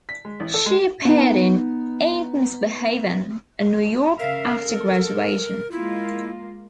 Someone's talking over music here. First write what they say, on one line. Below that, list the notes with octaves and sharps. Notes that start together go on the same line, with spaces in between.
She appeared in "Ain't Misbehavin" in New York after graduation.
B6
G#3
A1
A4
G#3
B3 D#4
C#3 A#4 E5 F5
A4
G#3 A#3 E4 F4